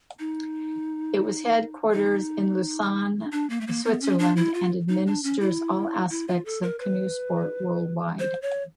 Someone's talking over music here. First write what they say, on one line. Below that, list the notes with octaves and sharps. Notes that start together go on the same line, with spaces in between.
It is headquartered in Lausanne, Switzerland, and administers all aspects of canoe sport worldwide.
D#4
D#4
D4
A#3
A3
A#3
B3
C#4
D4
E4
F4
D#4
D4
C#4
E4
E4
F4
A4
A#4
B4
C5
C#5